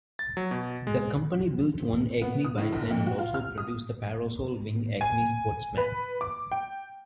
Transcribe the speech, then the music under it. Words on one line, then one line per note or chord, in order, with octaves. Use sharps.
The company built one Acme Biplane and also produced the parasol wing Acme Sportsman.
A6
F#3
B2
G#3
B3
D#6
A2
G1
F2
F#4
F4
F6
D#6
G#5
B4
D6
G5